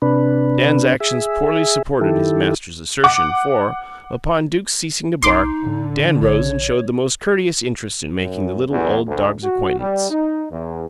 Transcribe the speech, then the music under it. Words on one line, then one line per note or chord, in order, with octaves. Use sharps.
Dan's actions poorly supported his master's assertion, for, upon Duke's ceasing to bark, Dan rose and showed the most courteous interest in making the little, old dog's acquaintance.
C3 D4 B4
G#4 E5
D#3 E4 G4 A4
F#5 D6
B1 D#4 C6 D6
A2 D3
A#1 C#5
F#2
E2
D2
F#4
G3
D#4
E2